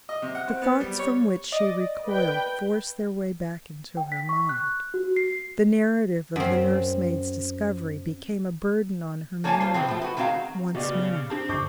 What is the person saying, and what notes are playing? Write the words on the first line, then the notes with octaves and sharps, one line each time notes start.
The thoughts from which she recoiled forced their way back into her mind; the narrative of the nursemaid's discovery became a burden on her memory once more.
D#5
C3
F#5
C4
B3
G3
C#5
D5 D#5
B4 G5
G5
B6
C#6
F#6
F#4
C7
F#2 C4
A3 A#3 C#5 D5 G#5 A5
F4 C5
C3 F#3 B3 C4
F3 A3
F#4 B4
D#3 G#3 C4 F#4 F5 A#5
C#3 B3 C#4 F#4 G4 D5 D#5
C4 D4 G4 C5 A5
G2 D3 C#6 D6 G6